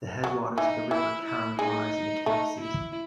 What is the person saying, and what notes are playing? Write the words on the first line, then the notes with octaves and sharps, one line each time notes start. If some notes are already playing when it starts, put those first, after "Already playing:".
The headwaters of the River Carron rise in the Campsies.
F#3
E3 D#4
E3 E4
E4
G#3 D#4
A3 D#4
E4